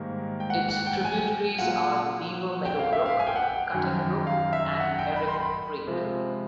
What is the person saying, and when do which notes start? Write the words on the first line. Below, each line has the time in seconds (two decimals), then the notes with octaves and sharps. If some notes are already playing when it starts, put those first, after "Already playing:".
Its tributaries are Beaver Meadow Brook, Cutting Brook and Herrick Creek.
Already playing: G#2 D#3 G3 A#3
0.40 G5
0.50 F#5
0.68 F#5
0.86 G5
1.04 G#5
1.59 A#2 F#3 A#3 F#5
2.65 G5
2.79 F5
2.93 E5
3.06 F5
3.20 G#5
3.27 G5
3.36 F#5
3.43 G5
3.73 F#2 D#3 F#3
4.27 F5
4.53 E5
4.80 F#5
4.99 G5
5.16 B5
5.28 C6
5.34 B5
5.87 C3 F3 G#3